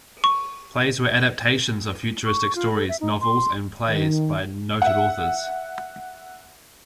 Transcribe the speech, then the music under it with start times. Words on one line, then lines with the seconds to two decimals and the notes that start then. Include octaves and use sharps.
Plays were adaptations of futuristic stories, novels and plays by noted authors.
0.24 C#6
2.25 C#6
2.55 F4
2.72 A4
2.89 E5
3.01 D#4
3.21 C6
3.89 D#3
4.82 E5 F#5